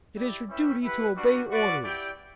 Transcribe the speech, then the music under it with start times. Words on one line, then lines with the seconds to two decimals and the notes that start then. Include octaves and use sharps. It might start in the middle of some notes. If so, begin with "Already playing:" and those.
"It is your duty to obey orders."
0.15 E4 G4 D5
0.49 C#4 E4 B4 E5 G5
0.83 E4 G4 B4 F#5
1.16 G3 D4 F#4
1.50 F#4 B4 D5
1.83 E4 G4 D5 G5